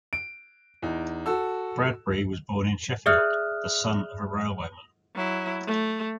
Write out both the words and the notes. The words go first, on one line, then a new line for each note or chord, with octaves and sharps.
Bradbury was born in Sheffield, the son of a railwayman.
D7
E2 D#4
F#4 A4 E6
G#4 D5 E5 D#6 F6 F#6
F#3 E4
A3